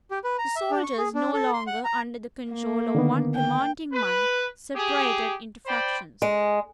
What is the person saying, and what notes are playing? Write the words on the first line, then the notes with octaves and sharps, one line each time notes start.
The soldiers, no longer under the control of one commanding mind, separated into factions.
G4
B4
A#5
E5
D4
C#6
G#4
D4
A4
C6
F#5
A#5
A#3
D3 D#3 B3
G5
B4
G4 G#4
C5 D5 G5 B5
G#3